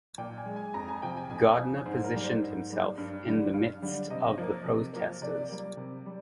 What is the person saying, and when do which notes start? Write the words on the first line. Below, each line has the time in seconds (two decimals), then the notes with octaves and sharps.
Gardner positioned himself in the midst of the protestors.
0.18 A#2 G5
0.38 G#5
0.46 G#3
0.56 G#5
0.74 F2 A#5
0.88 G#5
1.02 C3 F3 G5
1.17 G#5
1.30 F2 G#5
1.59 C3 F3
1.86 G#2 C5
2.04 A#4
2.15 G3 A#3
2.24 C5
2.42 G#2
2.70 G3 A#3
2.97 G2
3.26 D3 G3
3.54 G2 F5
3.82 D3 G3
4.10 C3 D#5
4.38 F3 A#3
4.65 C3
4.93 F3 A#3
5.22 C3 D5
5.49 G3 A#3
5.77 C3
6.06 G3